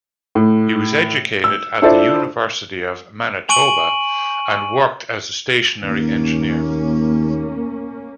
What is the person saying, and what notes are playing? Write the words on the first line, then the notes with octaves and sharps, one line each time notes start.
He was educated at the University of Manitoba, and worked as a stationary engineer.
A2
E6
D4 E4 F4 A4 C5 D5
G#5 C#6 D7 D#7 F#7
D#2 A#3 C#4